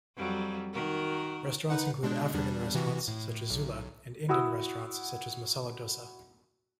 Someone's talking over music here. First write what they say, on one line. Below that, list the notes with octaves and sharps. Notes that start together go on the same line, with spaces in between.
Restaurants include African restaurants such as Zula, and Indian restaurants such as Masala Dosa.
F2 F#3 G3
D#3 F#4 A#4
D#4 B4 F#5
B2 G#3 D4
E2 G3 D4
C3 E3 F#4
A2
B1
E4 F#4 F#5 D#6 E6